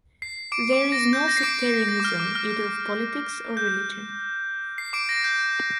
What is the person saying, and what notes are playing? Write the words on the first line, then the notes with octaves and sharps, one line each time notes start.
There is no sectarianism, either of politics or religion.
C7
D6 D7
D6 D7
A#6
G6
A#6
C7
D6 D7
C7
A#6
D6
F6
D6
F6
G6
C7
D6 D7
A#6
G6